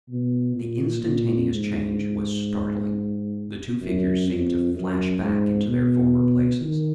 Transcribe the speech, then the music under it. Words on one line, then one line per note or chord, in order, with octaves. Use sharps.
The instantaneous change was startling: the two figures seemed to flash back into their former places.
B2
A#2
A#2
G#2
F#2
F2
F#2
G#2
B2
D#3